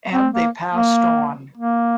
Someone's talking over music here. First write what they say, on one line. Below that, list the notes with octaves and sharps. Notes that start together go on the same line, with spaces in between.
And they passed on.
C4
A#3
A#3
A#3